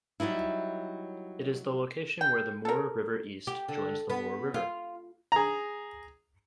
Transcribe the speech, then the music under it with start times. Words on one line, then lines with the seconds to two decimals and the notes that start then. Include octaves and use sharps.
It is the location where the Moore River East joins the Moore River.
0.20 F#3 G3 D#4 E4
2.21 G5
2.65 A4 A#4
3.47 G4
3.69 D3
4.10 B3
4.54 F4
5.32 G#4 A#5